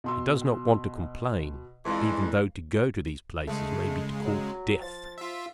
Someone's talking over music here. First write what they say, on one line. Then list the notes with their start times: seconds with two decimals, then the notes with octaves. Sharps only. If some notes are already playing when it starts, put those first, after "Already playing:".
He does not want to complain even though to go to these places may be to court death.
0.04 B2 C6 E6
1.86 F2 E3 G#3 D5 F5
3.47 C#3 G#3 A3
4.25 F#3
4.82 F3 A6
5.18 F4 E5